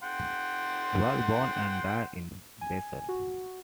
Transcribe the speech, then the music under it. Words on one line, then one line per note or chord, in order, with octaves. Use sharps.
He was born and died in Basel.
F#5 G5 C6
G#5
F#4